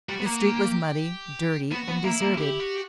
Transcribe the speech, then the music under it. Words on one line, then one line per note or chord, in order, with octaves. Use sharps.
The street was muddy, dirty, and deserted.
G3 F#4
B3
A#3 F#4
G4
B3 F#4
B3
A#3 E4
A#3
E4 G4
F#4